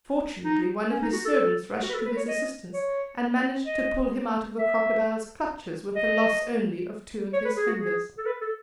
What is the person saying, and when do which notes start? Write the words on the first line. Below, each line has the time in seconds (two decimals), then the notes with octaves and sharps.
Fortunately one of his servants rushed to his assistance and managed to pull him out of the crocodile's clutches with the loss only of two of his fingers.
0.45 D#4
0.91 C#4
1.02 D#4
1.13 F#4
1.25 A4
1.36 A4
1.83 F#4
1.89 B4
1.94 A4
2.06 B4
2.17 C#5
2.28 D#5
2.74 C#5
3.66 D#5
4.58 E5
5.96 D#5
7.34 C#5
7.45 B4
7.57 G#4
7.68 F#4
7.80 G#4
8.18 A4
8.26 B4
8.41 A4